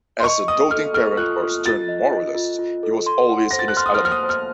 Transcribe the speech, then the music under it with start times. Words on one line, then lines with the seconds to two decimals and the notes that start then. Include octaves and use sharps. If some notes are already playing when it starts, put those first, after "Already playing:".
As a doting parent or stern moralist, he was always in his element.
0.20 C6
0.24 D#5 C#6
0.48 D#5 D#6
0.71 A4 F6
0.94 A4 F6
1.17 F4 F#6
1.42 F4
1.65 F4 A6
1.89 D#5
2.12 D#5
2.35 F4
2.59 F4
2.83 A4
3.06 C6
3.29 F#5
3.51 C5 A#6
3.59 A6
3.68 F#6
3.77 C6 F6
3.86 D#6
3.94 F6
4.00 C5
4.05 F6
4.11 D#6
4.24 C5
4.29 F6